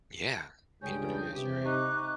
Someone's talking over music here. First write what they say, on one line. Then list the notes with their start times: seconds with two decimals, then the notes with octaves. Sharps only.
Yeah, peanut butter is, right.
0.83 C#2 G2 G#3 C#4 G5 D#6 G6
1.35 C3 G4
1.66 D#4 C#6 D6 F#6